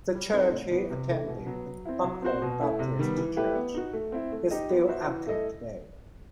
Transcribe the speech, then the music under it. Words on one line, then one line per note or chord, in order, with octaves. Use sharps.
The church he attended, Buckhorn Baptist Church, is still active today.
G3
C4 D#4 A4 C5
A2
E3 B3
C3
E3 A3 E4
B2
F#3 B3
F#3
C4 E4
F#3
C4 F#4 C5
B2
A3 E4
C3
D#3 G3 B3
E3
A3 E4 G4 B4
B3
D#4 F#4
A3
C4 E4
A3
D#4 G4 D#5
B3
F#4 C5 E5
E3
A3 E4 A4 D#5